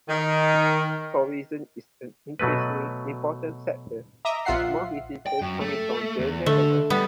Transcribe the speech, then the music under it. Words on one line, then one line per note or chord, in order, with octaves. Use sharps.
Tourism is an increasingly important sector, with most visitors coming from the Netherlands.
D#3
B2 F#3 A3 B4
D#5 E5 A#5 D6 D#6
A#1 F4 E5 F#5 C7
G5
F#2
A3
E2
D3 A3
G3 B3